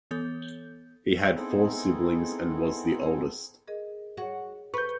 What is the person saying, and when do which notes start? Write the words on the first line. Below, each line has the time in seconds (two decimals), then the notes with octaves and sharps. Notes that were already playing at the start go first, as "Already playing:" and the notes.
He had four siblings and was the oldest.
0.11 E3 B3 A4 C#5 G6
1.35 B3 C4 D#4 E4 G#4 A4
3.67 G#4 A#4 D#5
4.17 F#4 G#4 C#5
4.74 A4 B4 C#6 G6